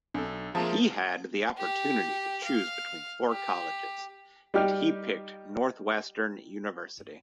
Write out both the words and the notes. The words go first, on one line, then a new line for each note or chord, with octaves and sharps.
He had the opportunity to choose between four colleges and he picked Northwestern University.
B1 D4 A4
F3 G#3 A#3 F4 E5 A5 A#5
G4
F5
G4
G3 D#4 G4 G5 F6